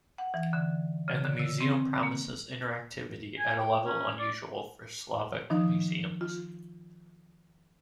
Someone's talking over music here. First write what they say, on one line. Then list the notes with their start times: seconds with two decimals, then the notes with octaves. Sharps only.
And the museum promises interactivity at a level unusual for Slovak museums.
0.18 F#5
0.34 E3
0.53 D3
1.08 C#3
1.25 D3
1.39 E6
1.61 C4
2.03 A#3
3.39 G#5
3.59 G5
3.86 C#4
4.19 D5
5.50 D#3 F3 D#4
6.21 F4